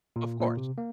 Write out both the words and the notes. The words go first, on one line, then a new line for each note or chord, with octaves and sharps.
Of course.
A#2
A#2
C3
A#3